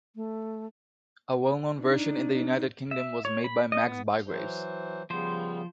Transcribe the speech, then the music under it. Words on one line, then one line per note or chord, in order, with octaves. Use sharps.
A well-known version in the United Kingdom was made by Max Bygraves.
A3
D4 D#4
E5
C#5
B5
D#5
B3
E3 F#3 C5
C#3 F3 G3 B3 C5